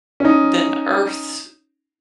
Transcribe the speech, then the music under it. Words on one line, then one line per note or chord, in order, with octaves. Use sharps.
than Earth,
C#4 D#4